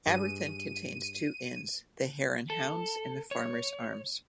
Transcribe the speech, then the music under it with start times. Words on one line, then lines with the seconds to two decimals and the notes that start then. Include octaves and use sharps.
Aberthin contains two inns; The Hare and Hounds and The Farmers Arms.
0.06 G2 G#4 D#7
2.50 A4
3.31 C#5